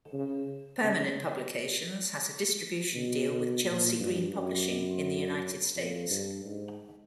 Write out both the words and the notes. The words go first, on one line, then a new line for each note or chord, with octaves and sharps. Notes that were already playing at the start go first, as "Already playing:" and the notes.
Permanent Publications has a distribution deal with Chelsea Green Publishing in the United States.
C#3
C#3
B2
B2
A#2
G2
F#2
F2
G2
G#2